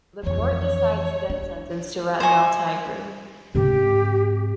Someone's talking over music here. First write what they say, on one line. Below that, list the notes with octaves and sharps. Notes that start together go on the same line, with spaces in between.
The court decides death sentence to Ratanlal Tiger.
F2 E3 C#5
D4
C5 D#5 G#5 C#6
G#2 C3 G4